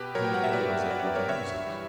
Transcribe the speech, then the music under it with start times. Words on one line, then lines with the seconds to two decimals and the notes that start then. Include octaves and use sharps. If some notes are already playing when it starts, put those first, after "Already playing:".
He never was able to use it.
Already playing: B2 G4 B4
0.15 F#3 A#4 C#5
0.24 G5
0.34 F#5
0.44 E5
0.53 B2 B4 D5
0.90 F#3 D5
0.99 C#5
1.07 B4
1.15 A#4 C#5
1.29 G2 C#5 E5
1.66 E3 G3